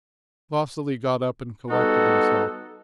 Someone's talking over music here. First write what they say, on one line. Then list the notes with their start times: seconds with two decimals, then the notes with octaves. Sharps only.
Vasily got up and collected himself.
1.70 G3 B3 D#4 F#4 A4